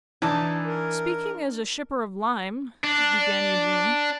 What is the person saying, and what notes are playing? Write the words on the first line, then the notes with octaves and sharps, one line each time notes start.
'Speaking as a shipper of lime--' began Eugene.
E3 D4 D#4 A5
A#4
D4